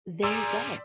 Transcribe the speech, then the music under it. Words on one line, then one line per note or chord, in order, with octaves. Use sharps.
There you go.
A2 G3 G#4 A#4 D5 C6 E6